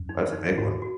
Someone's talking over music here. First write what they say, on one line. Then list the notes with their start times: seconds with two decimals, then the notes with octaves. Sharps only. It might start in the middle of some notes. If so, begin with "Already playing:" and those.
That's a big one.
Already playing: F#2
0.09 D#4
0.32 D#4
0.58 G#2 F#4
0.82 F#4